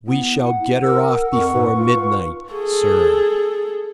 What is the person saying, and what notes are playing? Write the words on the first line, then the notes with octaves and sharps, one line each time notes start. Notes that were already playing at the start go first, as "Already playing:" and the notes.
"We shall get her off before midnight, sir."
B3 E4
F#5
A#4 E6
F2 A#4 C#6
G#2 B4
F4
G#4 A4